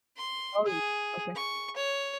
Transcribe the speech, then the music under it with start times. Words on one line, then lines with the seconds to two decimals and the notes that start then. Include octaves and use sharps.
Oh, you okay.
0.17 C6
0.66 G#4
1.36 C#6
1.77 C#5